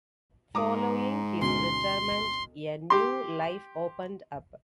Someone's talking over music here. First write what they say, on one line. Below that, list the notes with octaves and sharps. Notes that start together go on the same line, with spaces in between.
Following his retirement, a new life opened up.
G#2 A#5 D6 D#6
D2 B2 C#4 C6
G4 C6